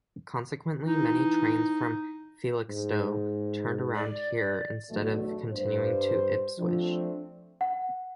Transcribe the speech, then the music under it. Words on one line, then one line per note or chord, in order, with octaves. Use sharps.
Consequently, many trains from Felixstowe turned around here instead of continuing to Ipswich.
E3 D#4
G#2
D5
B1 E2 D3 F#3 A3
G2 C5
F3 A3 C4 D4
F#5